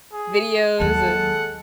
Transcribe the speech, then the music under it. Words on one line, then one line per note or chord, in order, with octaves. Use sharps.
videos of
G#4
D#2 F#3 G#3 A4 F#5 A5